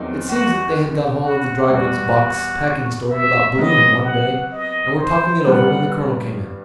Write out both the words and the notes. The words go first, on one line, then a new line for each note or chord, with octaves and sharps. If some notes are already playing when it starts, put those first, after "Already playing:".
It seems that they had got hold of the dry-goods box packing story about Balloon, one day, and were talking it over when the Colonel came in.
Already playing: E2 D#3 F#3 C4 D#4
F#4
F#4
E2 B2 G3 F#4
E5
C3 F#3 B3 D#5
F#5
D#5
C5
G2 D#3 G3 B3 F#5